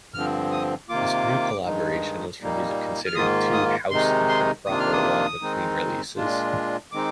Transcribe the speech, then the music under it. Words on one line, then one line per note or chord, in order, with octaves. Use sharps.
This new collaboration was for music considered "too 'housey' for proper Juan Maclean releases".
G2 D3 F3 C4 F6
D#6
C3 D#3 A#3 F4 D6
G2 D#3 G#3 D#4
A#2 G3 A#3 D#4
F6
G#2 D#3 A#3 F4 D#6
D#6
C3 D#3 G#3 D#4 C6
C6
C3 D#3 A#3 D4 F4 D#6
F6
D#6
D#3 G#3 C4 D#4
A#2 G#3 D4 F4
D#3 G#3 C4 D#4 D6